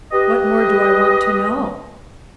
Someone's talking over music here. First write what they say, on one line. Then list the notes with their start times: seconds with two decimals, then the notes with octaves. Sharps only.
"What more do I want to know?"
0.12 G4 B4 D#5